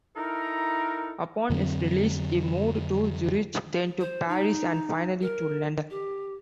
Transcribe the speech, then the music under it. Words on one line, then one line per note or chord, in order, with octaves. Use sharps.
Upon his release he moved to Zurich, then to Paris and finally to London.
D#4 E4 A4 A#4
F2 D3 F#3 C4
C5
D#4
A#4
G4